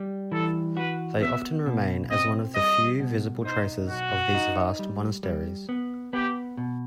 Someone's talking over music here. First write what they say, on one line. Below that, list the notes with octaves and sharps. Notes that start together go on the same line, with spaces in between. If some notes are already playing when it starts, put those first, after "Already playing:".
They often remain as one of the few visible traces of these vast monasteries.
Already playing: G3
E3 A4
F#4 B4
B3 E5
B2
C4 D#5
G3 D#5
B2
D#4 C5
B1 F#4
D#4
G3
G3
B3
B3 G4
B2